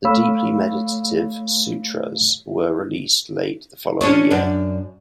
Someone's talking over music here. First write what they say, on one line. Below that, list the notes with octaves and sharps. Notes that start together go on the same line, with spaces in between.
The deeply meditative "Sutras" was released late the following year.
A3 C#5 F5 B5 E6
C#4 D4 C#5
F#2 D4